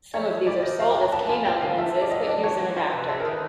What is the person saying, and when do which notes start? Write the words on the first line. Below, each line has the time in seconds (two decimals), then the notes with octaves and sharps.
Some of these are sold as K-mount lenses but use an adapter.
0.14 G3 C#5
0.30 B2
0.46 G3 D5
0.63 D#3 D#5
0.79 F#3 F5
0.91 G5
0.96 D4
1.02 A#5
1.12 B3 A5
1.28 F4 G#5
1.45 G3 G5
1.61 D3 F5
1.78 A3 E5
1.95 F4
2.01 D5
2.11 F#3 D#5
2.27 D4 D5
2.43 E3 C#5
2.60 C4
2.76 F3 C5
2.92 C3 B4
3.09 G#3 A4
3.20 A#4
3.25 D#3
3.31 B4